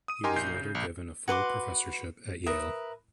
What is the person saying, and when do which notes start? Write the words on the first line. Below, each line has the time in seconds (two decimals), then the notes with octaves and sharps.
He was later given a full professorship at Yale.
0.08 D#6 D#7
0.24 D#4 G4 A#4 G#5 C6
0.36 A#1 G6 C7
0.54 C#3
0.75 A#1
1.28 F#4 B4 C6 D6
2.46 A#4 B4 E5 D#6